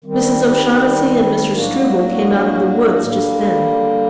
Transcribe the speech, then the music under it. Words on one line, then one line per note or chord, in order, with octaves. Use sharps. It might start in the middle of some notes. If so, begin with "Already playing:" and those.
Mrs. O'Shaughnessy and Mr. Struble came out of the woods just then.
D#3 G3 C4
A2 F#3 A#3 D4 F#4
D3 G3 A#3